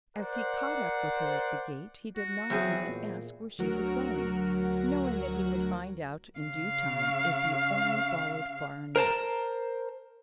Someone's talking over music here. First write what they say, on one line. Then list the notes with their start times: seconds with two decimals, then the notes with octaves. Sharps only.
As he caught up with her at the gate, he did not even ask where she was going, knowing that he would find out in due time if he only followed far enough.
0.17 A#4 C5 D5 F#5
2.17 F#4
2.50 E2 F#3 C4 G#4
2.86 A#2
3.59 D2 F#3 F#4 A#4
6.39 C#3 F5
8.96 A#4 C5 A5 A#5